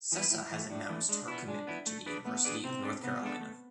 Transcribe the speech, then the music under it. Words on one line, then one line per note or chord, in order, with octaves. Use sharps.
Sessa has announced her commitment to the University of North Carolina.
E3 B3 E4 B4
A2 E4
E3 A3
A2 D4
E3 A3
G#3 D4
B3 E4
G#3 D4
B3 E4
A3
D4 G#4 B4 D5
A3 B3
D4 G#4 B4 D5
C3 C4
G#3 D4 A4
C3 B3
G#3 D4 A4
A3